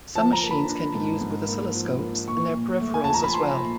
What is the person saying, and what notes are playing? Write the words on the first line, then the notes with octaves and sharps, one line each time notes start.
Some machines can be used with oscilloscopes and their peripherals as well.
F3 A5
A#5
A#3
B5
D4
G#2
G#2
A#3
F3
A#3
A#2 C#6
A#2
A3
G#5
F3 A5
A#5
B5
F3 C6
A#2